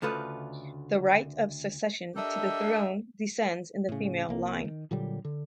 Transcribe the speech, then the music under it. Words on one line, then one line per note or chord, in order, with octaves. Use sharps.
The right of succession to the throne descends in the female line.
D2 C#3 F4 A4 B4 D#5
D4 G4 A4 A#4 D#5 E5
A2 C#3
C2 A#3
D#3
A#2 D3 F#3 G3
D3